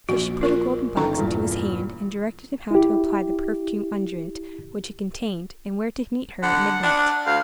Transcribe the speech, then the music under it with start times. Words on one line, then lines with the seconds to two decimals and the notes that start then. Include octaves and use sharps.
So she put a golden box into his hand, and directed him how to apply the perfumed unguent which it contained, and where to meet her at midnight.
0.09 A#1 F#4
0.41 F4 A#4 C#6
0.97 G1 D#3 A4 A#5 C#6
1.18 E2 G2 A#2
2.71 E4 G4
6.43 D3 F#5
6.83 D4
7.26 D2 F5